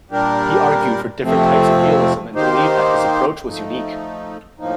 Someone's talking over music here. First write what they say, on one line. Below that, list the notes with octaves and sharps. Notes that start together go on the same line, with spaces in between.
He argued for different types of realism and believed that his approach was unique.
A#2 G3 D4 G4 A#4
F2 C3 F3 A3 C4
D#3 A#3 D#4 G4 C5
F3 A3 D#4
A2 F3 A#3 D#4